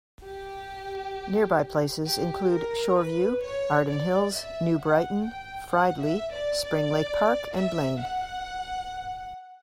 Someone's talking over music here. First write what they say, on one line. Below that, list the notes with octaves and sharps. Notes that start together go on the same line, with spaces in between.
Nearby places include Shoreview, Arden Hills, New Brighton, Fridley, Spring Lake Park, and Blaine.
G4
G4
A#4
B4
C#5
D5
E5
F#5
G5
F#5
E5
D5
D5
E5
F#5